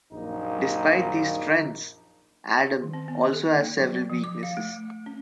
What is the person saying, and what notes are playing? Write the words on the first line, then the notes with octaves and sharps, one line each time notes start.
Despite these strengths, Adam also has several weaknesses.
A#1 F#2 A#3 D#4
D#3
C4
B3
A4
A#3
F#3
F3
D6
F5
A3
C#4